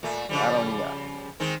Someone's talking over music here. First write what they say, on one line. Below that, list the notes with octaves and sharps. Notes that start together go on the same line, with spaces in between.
I don't need a
A#2 A3
C#3 F3 G3
D#3 G#3 C4